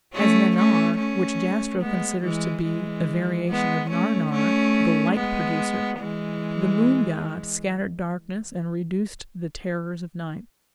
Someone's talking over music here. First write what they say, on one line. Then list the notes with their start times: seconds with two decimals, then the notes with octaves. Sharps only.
As Nannar, which Jastrow considers to be a variation of "Narnar", the "light producer", the moon god scattered darkness and reduced the terrors of night.
0.14 A3 C#4
0.56 A3 C#4
0.97 A3 C#4
1.81 G#3 B3
2.23 E3 G#3
2.64 E3 G#3
3.48 G#3 B3
3.90 A3 C#4
4.31 A3 C#4
5.15 G#3 B3
5.99 E3 G#3